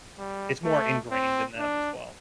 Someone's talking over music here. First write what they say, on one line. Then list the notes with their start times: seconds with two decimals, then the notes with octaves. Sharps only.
it's more ingrained in them as well.
0.18 G3
0.65 A3
1.12 C4
1.58 D4